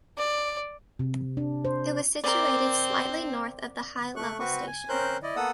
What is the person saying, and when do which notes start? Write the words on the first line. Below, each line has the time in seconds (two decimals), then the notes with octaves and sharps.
It was situated slightly north of the high level station.
0.18 D5
0.99 C3
1.37 D4
1.65 C5
2.24 C4 A#4 D5
4.16 A3 C#6 F#6
4.39 C4 F#4 B4 C#6
4.67 G#5
4.89 C4 C#4 A#4 C5 F#6 G6
5.23 E4 D5 D#5
5.36 A#3 B3 A4 F#5 D#6 E6